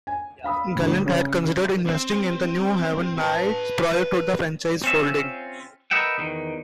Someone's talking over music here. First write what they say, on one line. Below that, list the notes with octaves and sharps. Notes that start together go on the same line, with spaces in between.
Galante had considered investing in the New Haven Knights prior to the franchise folding.
G#5
F5 B5 D#6 E6
D2 A2
C#3
C4
B4 A5
C4 C#4 F4 E5
A#4 B4 D#5 E5 F#5 G5
E2 D#3